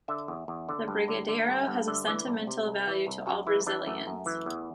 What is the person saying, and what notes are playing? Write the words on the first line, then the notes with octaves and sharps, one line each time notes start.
The brigadeiro has a sentimental value to all Brazilians.
D3 E5
E2
E2
D3
G2
D3
D3
G2 F#5
E5
G2 F#5
D3 E5
E3 D5
C2
C3
C2
E3
C2
F#2 F#4
E3 E4
E3 D4
F#2 A3
F#2
E3
E2